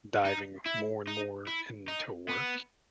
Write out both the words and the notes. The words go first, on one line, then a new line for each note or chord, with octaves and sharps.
diving more and more into work
D#4
E4
D#4
E4
D#4
B3